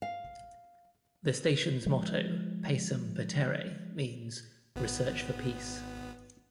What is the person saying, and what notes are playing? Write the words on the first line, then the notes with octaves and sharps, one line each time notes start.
The station's motto "Pacem Petere" means "Research For Peace".
F5
F3 G#3
G#1 B3